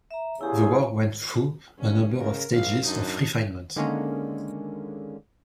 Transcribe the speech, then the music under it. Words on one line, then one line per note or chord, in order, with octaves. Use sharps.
The work went through a number of stages of refinement.
E5 A#5
E2 C#3 E4 G4 G#4
G2 C#4
C#3 A#4
A#1 F5
F#2 D4 D#4
D3 D#3 G#3 A#3 C#4